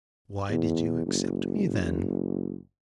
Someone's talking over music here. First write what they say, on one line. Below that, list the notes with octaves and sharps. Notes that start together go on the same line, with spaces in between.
"Why did you accept me then?"
E2
F#1